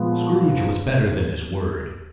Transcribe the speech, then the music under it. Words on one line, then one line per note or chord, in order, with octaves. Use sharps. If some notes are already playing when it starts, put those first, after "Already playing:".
Scrooge was better than his word.
Already playing: A#2 F3 G#3 B3